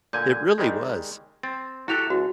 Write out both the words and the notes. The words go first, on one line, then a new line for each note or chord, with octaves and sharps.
It really was.
A#2 D3 G#5 G6 G#6
D#3 G3 G#3
C4 A6
E4 F#4 G4 A4 F#6 F7
C#2 F#4